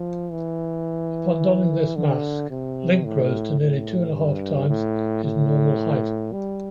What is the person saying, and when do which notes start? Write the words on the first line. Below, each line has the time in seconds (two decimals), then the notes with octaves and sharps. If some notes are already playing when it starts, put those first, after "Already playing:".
Upon donning this mask, Link grows to nearly two-and-a-half times his normal height.
Already playing: F3
0.32 E3
1.96 D3
2.50 C3
3.05 A2
3.60 A2
4.15 G2
4.69 A2
5.24 A2
6.33 G3